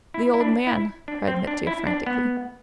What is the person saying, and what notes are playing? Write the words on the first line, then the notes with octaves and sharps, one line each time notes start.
"The old man!" cried Mitya frantically.
E4
E4
D4
E4
D4
C4
D4
E4
D4
B3